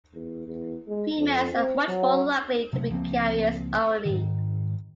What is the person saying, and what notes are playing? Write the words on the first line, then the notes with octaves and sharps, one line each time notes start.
Females are much more likely to be carriers only.
E2
E2
G#3
F2
C4
F#3
C3 F#3 G#3 A3
C#2 F3 A#3 C4
G#2 D#3